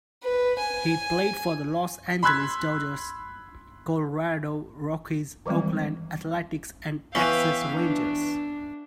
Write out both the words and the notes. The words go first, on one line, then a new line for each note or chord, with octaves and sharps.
He played for the Los Angeles Dodgers, Colorado Rockies, Oakland Athletics and Texas Rangers.
B4
G#5
B5 C6 E6 F#6 G#6 B6
D#3 E3 G3 G#3 C4
E3 B3 C#4 E5 F5 G5
D4